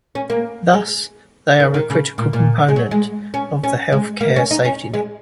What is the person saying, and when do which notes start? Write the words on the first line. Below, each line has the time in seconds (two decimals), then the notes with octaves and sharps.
Thus, they are a critical component of the health care safety net.
0.15 C#4
0.30 A#3
0.74 G#3
1.60 D#3
1.74 D#3
1.90 C#3
2.18 A#2
2.33 A#2
2.69 G#3
2.76 F#3
2.91 G#3
3.34 C#4
3.64 C#4
3.92 G#3
4.21 A#3
4.36 C#4
4.51 D#4
4.65 C#4
4.94 G#3